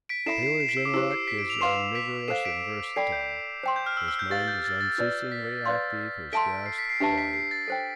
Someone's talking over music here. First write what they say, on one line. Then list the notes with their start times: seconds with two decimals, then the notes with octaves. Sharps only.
Taylor's intellect is omnivorous and versatile--his mind is unceasingly active, his grasp wide.
0.09 B6 D7
0.26 E4 A4 E5 B5 C7 E7
0.43 C7 E7
0.60 C7 E7
0.69 B6 D7
0.77 E6
0.85 D6
0.94 E4 G4 C5 E6
1.11 C7
1.27 B6 D7
1.38 B6 D7
1.50 D7 F7
1.60 B4 F5 C6 C7 E7
1.95 B6 D7
2.28 A4 C5 F5 C7 E7
2.45 B6 D7
2.96 A4 D5 G5 B5 C7
3.12 G6
3.63 C5 G5 C6
3.76 G6
3.86 F6
3.97 E6
4.08 E6
4.19 G6
4.30 G4 B4 F5 A6
4.48 G6
4.65 A6
4.81 A6
4.98 F4 B4 D5
5.32 B6
5.65 B4 D5 F5 C6
6.32 A4 E5 A5 C6 B6 D7
6.66 C7
6.78 B6
6.90 C7
7.00 D4 G4 B4 E5 A5 C7
7.18 B6
7.33 C7
7.51 A6
7.68 A4 C5 G5